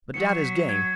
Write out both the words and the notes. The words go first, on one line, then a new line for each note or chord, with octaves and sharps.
But dad is game.
F#3 C#7
B6
G#6